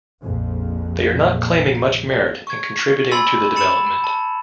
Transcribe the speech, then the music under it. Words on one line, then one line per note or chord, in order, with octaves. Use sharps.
We are not claiming much merit in contributing to the development.
A#1 F2
C#6 G#6
G#5 B5 C6 E6 A6 F#7
B5 A6 C#7 E7
A5